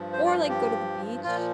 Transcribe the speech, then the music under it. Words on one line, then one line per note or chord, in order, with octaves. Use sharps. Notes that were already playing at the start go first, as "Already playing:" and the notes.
or, like, go to the beach.
Already playing: G2 F3
C5
D5
G4
A#2 F3 F4